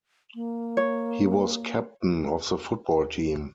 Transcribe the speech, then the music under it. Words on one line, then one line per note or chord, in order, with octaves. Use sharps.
He was captain of the football team.
A#3
C#5